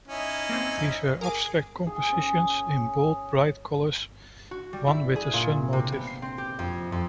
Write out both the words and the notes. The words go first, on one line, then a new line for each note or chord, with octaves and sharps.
These were abstract compositions in bold, bright colours, one with a sun motif.
C#4 D#4 E4
A#3 C4
F2
G#4 A#4 G#5 D6
G#4
C#4
F#4
G3
E4
G#4
A#2
C3
B3
C7
C4
G4
F2
F2